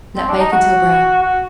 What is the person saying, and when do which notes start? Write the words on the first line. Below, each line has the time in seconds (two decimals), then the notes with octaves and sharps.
Let bake until brown.
0.16 C4
0.29 D4
0.40 D#4
0.52 F#4
1.22 F#4